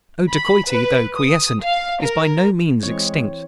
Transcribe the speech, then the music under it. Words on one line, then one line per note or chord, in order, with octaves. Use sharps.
Oh, dacoity, though quiescent, is by no means extinct.
B5
B4
D#6
F5
A#4
E3 G#3 C4 C#5